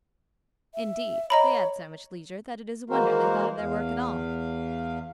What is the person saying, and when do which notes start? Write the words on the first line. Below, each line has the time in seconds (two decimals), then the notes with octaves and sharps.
Indeed, they had so much leisure that it is a wonder they thought of their work at all.
0.75 E5
1.30 C#5 D#5 A#5 B5
2.90 E3 G#3 A#3 F#4 A#4 C5
3.58 E2 F5